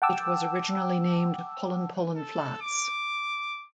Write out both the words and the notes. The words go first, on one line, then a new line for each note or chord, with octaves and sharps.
It was originally named Pullen Pullen Flats.
F#5 G5 A5 D6 E6
A4
D6